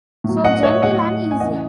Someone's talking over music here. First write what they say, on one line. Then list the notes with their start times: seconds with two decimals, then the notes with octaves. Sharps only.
So genteel and easy!
0.24 A2 F#3
0.44 D#5 F#5
0.63 C#5 E5
0.82 A2 F#3 D#5 F#5
1.31 G#5
1.40 E3 D#5 F#5
1.45 C#3